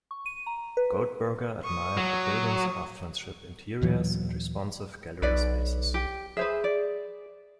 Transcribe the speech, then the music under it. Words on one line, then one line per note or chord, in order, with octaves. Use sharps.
Goldberger admired the building's craftsmanship, interiors, and responsive gallery spaces.
C#6
D#7
A#5
B4
C#6 D#6
F#3
D#2 A#2 E3 F#3
B1 B4 D5
G4
G#4 B4 C5 E5
D5